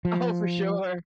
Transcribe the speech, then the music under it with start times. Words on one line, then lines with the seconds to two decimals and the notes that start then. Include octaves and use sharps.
Oh, for sure.
0.05 F3